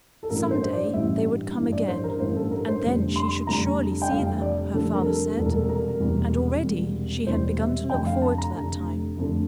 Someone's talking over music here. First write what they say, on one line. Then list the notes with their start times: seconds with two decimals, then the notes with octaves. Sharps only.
Some day they would come again and then she should surely see them, her father said; and already she had begun to look forward to that time.
0.23 A4
0.30 A1 G2 E3 G3 A#4
0.51 C5
0.63 C5
0.73 D5
0.93 A1 G2 E3 G3 E5
1.57 A1 G2 E3 G3
1.72 D5
1.88 C5
2.04 A#4
2.20 A1 G2 E3 G3 C5
2.36 A4
2.51 A#4
2.68 C5
2.83 F1 F2 D3 G3
3.16 C6
3.47 F1 F2 D3 G3 A#5
4.02 G5
4.10 F1 F2 D3 G3 F5
4.41 D5
4.73 F1 F2 D3 G3 A4
4.94 A#4
5.05 A4
5.37 E1 E2 C3 G3 A4
5.46 A#4
5.55 A4
5.69 A#4
6.00 E1 E2 C3 G3
6.64 E1 E2 C3 G3
7.27 E1 E2 C3 G3 C5
7.58 E5
7.90 F1 F2 D3 A3 G5
8.07 F5
8.22 A5
8.38 A#5
8.53 F1 F2 D3 A3
9.17 F1 F2 D3 A3